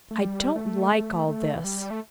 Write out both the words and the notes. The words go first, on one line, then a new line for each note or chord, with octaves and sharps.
I don't like all this.
A3
G3
A3
A3
A3
E3
G3
A3